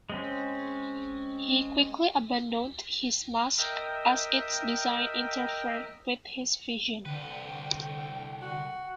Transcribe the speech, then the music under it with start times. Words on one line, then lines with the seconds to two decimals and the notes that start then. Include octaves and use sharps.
He quickly abandoned his mask as its design interfered with his vision.
0.10 G#3 C4 C#4
3.57 A#4 D#5 E5 G5
7.05 C2 D3 B4 G5
8.42 F#4